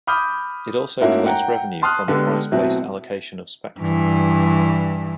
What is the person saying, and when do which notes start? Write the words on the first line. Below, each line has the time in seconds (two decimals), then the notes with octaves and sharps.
It also collects revenue from price-based allocation of spectrum.
0.07 B5 D6 D#6 F6 G6
1.01 G#2 A3 A#3 C#4 E4 F#4
1.26 F#5 G5 A#5
1.82 A5 C6 D#6 F6 F#6
2.08 D3 G#3 B3 G4 A4
2.52 B2 F#3 A3 C4 E4
3.80 G2 E3